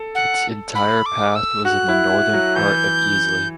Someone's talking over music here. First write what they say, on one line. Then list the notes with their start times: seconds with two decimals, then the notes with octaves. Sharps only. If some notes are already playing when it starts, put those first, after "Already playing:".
Its entire path was in the northern part of Easley.
Already playing: A4
0.15 F#5
0.75 B5
1.06 D6
1.35 E6
1.65 F#4 F#6
1.88 E4
2.10 E4
2.33 F#3
2.56 E3 G6